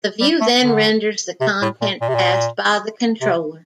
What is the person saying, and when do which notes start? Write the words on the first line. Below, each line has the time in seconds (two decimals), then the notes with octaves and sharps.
The view then renders the content passed by the controller.
0.21 G3
0.41 A3
0.62 D3
1.41 C3
1.62 A2
1.81 A#2
2.01 A#2
2.09 C3
2.15 A#2
3.21 C3